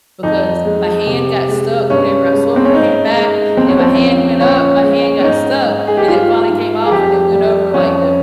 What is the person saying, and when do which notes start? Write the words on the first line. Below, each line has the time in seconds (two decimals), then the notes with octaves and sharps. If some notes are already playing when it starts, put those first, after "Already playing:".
because my hand got stuck whenever I swung my hand back, and my hand went up, my hand got stuck, and it finally came off, and it went over, like, the
0.23 F2 D#4
0.65 G#3
1.07 C3
1.49 G#3
1.90 G2 C#4
2.33 G#3
2.56 C4
2.65 C#4
2.74 G#2 D#4
3.16 G#3
3.57 F2 C4
3.68 C#4
3.79 C4
3.98 F3
4.41 A#2 C#4
4.82 G#3
5.19 C#4
5.24 G#2 D#4
5.66 G#2
5.87 G#4
5.97 G4
6.08 G#2 F4
6.50 G#2
6.85 G#4
6.91 F2 G4
7.33 G3
7.74 F2 C#4